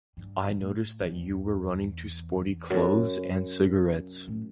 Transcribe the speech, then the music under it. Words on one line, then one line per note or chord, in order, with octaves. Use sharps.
I noticed that you were running to sporty clothes and cigarettes.
G2
G2
A2
E2
F#2
A2